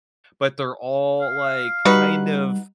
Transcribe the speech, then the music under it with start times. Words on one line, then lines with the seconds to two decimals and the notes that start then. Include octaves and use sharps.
but they're all, like, kind of
1.21 F5
1.85 G3 D#4 F#4 B4